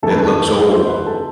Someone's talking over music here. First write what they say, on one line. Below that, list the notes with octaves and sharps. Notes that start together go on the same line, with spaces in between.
It looks old.
F#1 E2 D#3 A3 A4
B4
A4
C5
B4
A4